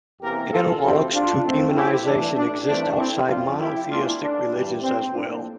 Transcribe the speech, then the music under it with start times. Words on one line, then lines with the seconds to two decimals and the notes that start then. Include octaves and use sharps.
Analogs to demonization exist outside monotheistic religions, as well.
0.21 E2 C3 E3 A#3 G4 A#4
0.52 F4 A4
0.82 D2 C3 F3 C4 E4 G4
1.13 D4 F4
1.44 F2 E3 A3 C4
1.75 E4 G4
2.06 A1 G2 E3 A3 D4
2.36 D4
2.66 G2 E3 A3 C4 D4
2.97 C4 E4
3.28 F2 C3 F3 C4 D4 F4
3.59 E4 G4
3.89 E2 E3 A3 D4 F4
4.21 D4
4.50 G2 E3 G3
4.81 C4
5.12 A2 F3 A#3 D4